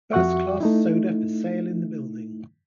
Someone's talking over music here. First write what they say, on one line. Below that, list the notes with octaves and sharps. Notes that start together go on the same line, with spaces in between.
First-Class Soda for sale in the Building.
F2 F#4 E5 F#5 C#6
A3 D#4 E4